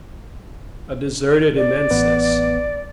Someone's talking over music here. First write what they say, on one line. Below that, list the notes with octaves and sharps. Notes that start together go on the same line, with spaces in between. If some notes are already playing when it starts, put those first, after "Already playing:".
A deserted immenseness.
D5
A1 B3 B4